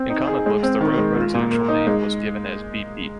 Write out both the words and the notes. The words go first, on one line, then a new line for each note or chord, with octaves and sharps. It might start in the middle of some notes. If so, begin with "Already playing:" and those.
In comic books, the Road Runner's actual name was given as "Beep Beep".
Already playing: C4
D#4
G#4
G#3
C4
D#3
G#3
F4
A#2
A#3
D#4
G#3